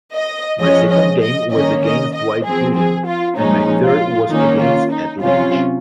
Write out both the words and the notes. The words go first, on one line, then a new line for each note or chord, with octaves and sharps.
My second game was against Dwight Gooden, and my third was against Ed Lynch.
D#5
F3 G#3 C#4 D#5
D#5
D#5
D#3 A#3 C#4 D#5
D#5
D#5
F3 C4 G#4
G#4
F4
A#2 F3 G#3 C#4 D#4
F4
D#3 A#3 C#4 D#4
F4
D#4
C3 F#3 C#4 F4